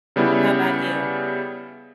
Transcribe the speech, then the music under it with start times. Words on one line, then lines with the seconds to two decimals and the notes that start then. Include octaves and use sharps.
How about you?
0.16 C#3 G3 B3 E4